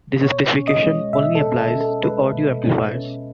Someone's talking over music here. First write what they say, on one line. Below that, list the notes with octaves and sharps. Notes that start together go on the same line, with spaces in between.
This specification only applies to audio amplifiers.
B2 C#5
C#4
D#5
G#3
B2 E5
A4
B2
A4
C#4
A4
G#3 B4
B2
B2
C#4